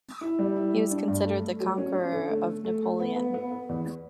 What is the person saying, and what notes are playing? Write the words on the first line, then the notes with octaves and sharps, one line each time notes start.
He was considered 'the conqueror of Napoleon'.
E4
G3
E4
G3
D4
G2
A3
A3
F#3
C#4
C#4
D3
A3
A3
A3
A3
B3
B3
B3
B3
E2